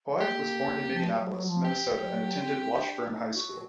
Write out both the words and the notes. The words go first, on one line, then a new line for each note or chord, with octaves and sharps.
Hoag was born in Minneapolis, Minnesota, and attended Washburn High School.
A#3 G4
F3
F#3
F#3
F3
G4
F#3
C4
D4
D#4
F#4